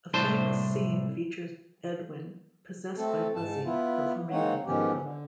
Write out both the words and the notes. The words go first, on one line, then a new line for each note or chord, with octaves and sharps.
A famous scene features Edwin, possessed by Buzzy, performing at the Club.
C2 A2 D4 C5 A5 C6
A3 C4 A4
G#2 A5
B3 E4 F4
G#3 A#3 C4 D#4 C#5 F#5
G#2 D#3 F3 B3 C#4 G4
D3